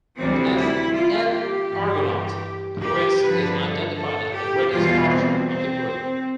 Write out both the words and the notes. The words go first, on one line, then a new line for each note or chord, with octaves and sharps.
As an Argonaut, Poeas is identified as the greatest archer of the group.
D2 C3 E3 G3 C4
E4
F4
G4
G2 E3 G3
G4
G2 D3 F3 B4
A4
A4
G4
E2 B2 G3 F4
C4
C4